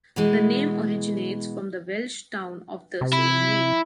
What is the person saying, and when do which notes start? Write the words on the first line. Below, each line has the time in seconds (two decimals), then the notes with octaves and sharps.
The name originates from the Welsh town of the same name.
0.16 B2 E3 G#3
3.01 C3
3.13 E4